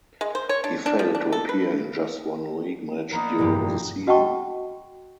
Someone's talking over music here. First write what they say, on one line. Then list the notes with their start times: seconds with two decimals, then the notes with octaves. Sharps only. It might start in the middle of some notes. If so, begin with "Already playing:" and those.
He failed to appear in just one league match during the season.
0.21 G#3
0.35 C5
0.49 C#5
0.64 D4
0.86 D4
0.99 F3
1.15 D4
1.32 A4
1.49 B4
3.12 A#3 B3 D4 D#4
3.39 F1 A#1 G2 G4
4.07 F#4 D#5 F#5 G5 A5 C#6